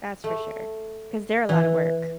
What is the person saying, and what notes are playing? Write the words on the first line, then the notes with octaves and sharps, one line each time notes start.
that's for sure, 'cause they're a lotta work,
A3
E3